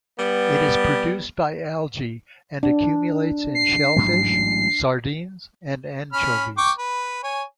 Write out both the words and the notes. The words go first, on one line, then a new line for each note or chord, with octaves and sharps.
It is produced by algae and accumulates in shellfish, sardines, and anchovies.
G3 B3
D4
C7
A1 G#2 F#3
C#4 B5 F6
G5 C#6 D6
B4
C#5 G#5